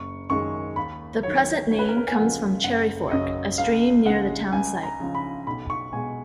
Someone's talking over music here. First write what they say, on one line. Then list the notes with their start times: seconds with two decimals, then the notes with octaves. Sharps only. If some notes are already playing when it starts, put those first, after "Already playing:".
The present name comes from Cherry Fork, a stream near the town site.
Already playing: F#1 C#6
0.30 F#2 D#3 G#3 C#6
0.76 D#2 B5
1.23 D#3 F#3 C#5
1.71 C#2 C#5
1.79 B4
1.89 A#4
1.97 B4
2.08 G#5
2.17 C#3 F3 G#3 F#5
2.64 F#1 F#5
3.11 F#2 C#3 F#3 D#5
3.58 C#2 F5
4.05 C#3 G#3 F#5
4.52 C#2 G#5
4.83 A#5
5.00 C#3 F3
5.15 B5
5.47 B1 B5
5.70 C#6
5.93 B2 G#3 G#5